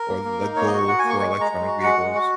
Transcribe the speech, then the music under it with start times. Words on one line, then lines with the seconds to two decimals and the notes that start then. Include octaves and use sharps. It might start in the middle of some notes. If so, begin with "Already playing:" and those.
Or, the goal for electronic vehicles.
Already playing: A#4
0.09 A#3
0.25 A#3
0.41 D#4
0.56 A#3 C#5
0.67 D#5
0.73 F#4 C#6
0.88 F#4 F#5
0.99 G#5
1.04 A#3
1.10 C#6
1.20 G#3 C#6
1.31 G#3 C#6
1.41 A#5
1.52 G#3
1.67 F#4
1.83 G#3 F#5
1.99 G#3
2.15 F#4